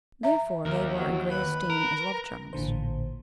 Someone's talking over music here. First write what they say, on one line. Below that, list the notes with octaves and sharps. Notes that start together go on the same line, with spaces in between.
Therefore they were in great esteem as love charms.
E5 A#5
D#2 A#4
F#3
B4
A#4
A1 A#2 D3 C5